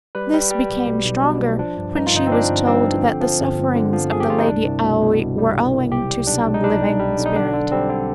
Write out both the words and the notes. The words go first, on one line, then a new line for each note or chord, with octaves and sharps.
This became stronger when she was told that the sufferings of the Lady Aoi were owing to some living spirit.
G3 B4
G3
G3
B1
B2
B1
B2
B1
F3 D4
G2
G2 D#4
F4
G1 D#4
C4
F3 D4
G1
G2 C4
F3
D3
F3
G1
G1
D3
F3
G1 G#4
G4
G2 F4
D#4
C2 D4
C2
B2
B2
C2
G3
C2
C2
B1 G4
G3
B1 D4
B1
D#4
G3 D4
B1
G3
B1
D#4
D3 D4
D3
G3 C4
D3